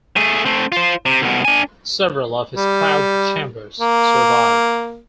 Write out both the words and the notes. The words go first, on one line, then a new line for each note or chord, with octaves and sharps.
Several of his cloud chambers survive.
A3 G#4
A3 C4
F4 C5
C3
C2 B2
D4 G#5
G3
A#3